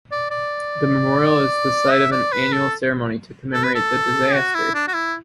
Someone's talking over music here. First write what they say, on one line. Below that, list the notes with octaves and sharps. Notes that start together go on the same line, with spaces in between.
The memorial is the site of an annual ceremony to commemorate the disaster.
D5
D5
E5
D5
B4
A4
A4
B4
A4
F#4
E4
D4
F#4
E4